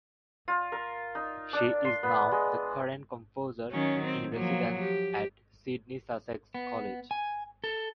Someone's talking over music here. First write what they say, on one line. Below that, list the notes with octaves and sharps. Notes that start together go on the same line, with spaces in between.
She is now the current Composer in Residence at Sidney Sussex College.
F4
A#4
D#4
D4
C6
B3
G#3
D#3 F#3 C#4
C4
F3 F#3 A#3
G4
B3
G#5
A4